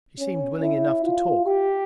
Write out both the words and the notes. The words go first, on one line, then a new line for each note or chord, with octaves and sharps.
She seemed willing enough to talk.
C#4
E4
F4
G4